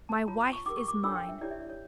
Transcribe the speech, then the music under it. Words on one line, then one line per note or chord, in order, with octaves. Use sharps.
My wife is mine.
A5
F4 C#5 A#5
C#6
C#4 G4 A#4 D6
C#6
D6
D4 F4 A4 C#5 E6
G5
E5
E4 G4 C#5 D5
E5
D5
C#5